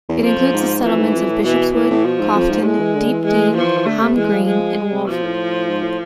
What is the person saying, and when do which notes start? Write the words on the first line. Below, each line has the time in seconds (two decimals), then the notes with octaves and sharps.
It includes the settlements of Bishopswood, Coughton, Deep Dean, Hom Green and Walford.
0.09 E2
0.24 F2 F3
0.39 F2
0.53 G#2
0.83 F2 E3
1.00 G#2
1.15 F2
1.30 A2
1.44 B2 E3
1.75 A2 E3
1.90 A2
2.04 B2 F3
2.19 G#2
2.35 F2
2.51 G#2
2.65 A2 G#3
2.80 E3
2.95 D3
3.11 E3
3.26 G#3
3.56 F3
3.76 E3
3.86 D3 A3
4.01 C3
4.16 E3 G#3
4.32 F3
4.47 G#3
4.92 C3
5.08 B2 F3
5.22 A2
5.68 G#2
5.83 A2